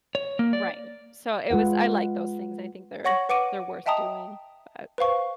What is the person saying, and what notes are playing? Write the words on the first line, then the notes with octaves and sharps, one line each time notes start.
Right. So, it was I like those things. I think they're they're worth doing. But
C#5
A#3
D5
G#3 F4 B4 F#5
C#5 F#5 C#6 A#6 F#7
B4 F#5 D6 D7 D#7
D#5 E5 G5 A5 A#5 D#6
B4 C5 F5 C#6